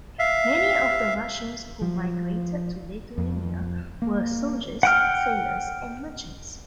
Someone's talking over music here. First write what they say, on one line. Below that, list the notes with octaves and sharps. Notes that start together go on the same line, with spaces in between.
Many of the Russians who migrated to Lithuania were soldiers, sailors, and merchants.
E5 F5
F3
F2
A#3
F#5 G5 F6